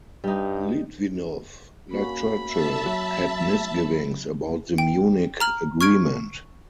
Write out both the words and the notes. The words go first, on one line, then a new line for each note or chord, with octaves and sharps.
Litvinov, like Churchill, had misgivings about the Munich Agreement.
G2 G3 D#4
A#3 C#4 F#4 B5
E5 A5
F#3
G5
A#5 F6 F#7
C#6 F6 G#6 D7